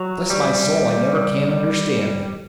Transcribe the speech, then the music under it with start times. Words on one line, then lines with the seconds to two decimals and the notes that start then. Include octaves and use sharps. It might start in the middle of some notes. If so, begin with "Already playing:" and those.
"Bless my soul, I never can understand it!"
Already playing: F#3
0.30 G3